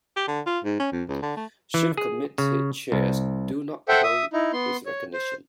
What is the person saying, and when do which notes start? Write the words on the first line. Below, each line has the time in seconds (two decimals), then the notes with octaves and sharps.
Ship committee chairs do not hold this recognition.
0.17 G4
0.28 D3
0.46 F4
0.65 G#2
0.80 C#4
0.92 F2
1.09 C#2
1.23 D3
1.37 A3
1.74 E3
1.97 G#4
2.38 C#3
2.92 C2
3.88 A4 C5 E5 F#5 G5
4.03 E5 D#6
4.33 D#4 E4
4.53 B3 C6
4.86 C#5
5.13 C5